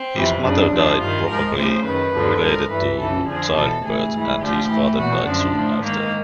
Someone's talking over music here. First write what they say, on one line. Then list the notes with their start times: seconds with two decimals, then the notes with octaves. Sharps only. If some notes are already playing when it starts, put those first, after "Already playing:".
His mother died probably related to childbirth, and his father died soon after.
Already playing: C4
0.15 F2 C3 E3
0.43 F#2 C#3 F3 D4
0.72 F2 C3 F3
1.00 G2 D#3 F4
1.28 G#2 F3 A#4
1.57 D2 C#3 F3 C5
1.85 F#2 D#3 B4
2.14 G2 D3 F3
2.42 G#2 F3 A#4
2.71 G2 E3 B4
2.99 F#2 C#3 E3 A4
3.27 F2 D3 F3 G#4
3.56 E2 B2 A4
3.84 D2 C3 E3 G#4
4.13 G#2 E3
4.41 D2 D3 F3 G4
4.69 A2 E3
4.98 E2 B2 F#4
5.26 F#2 D3 F3 D4
5.54 A2 F3
5.83 G#2 D#3 A#3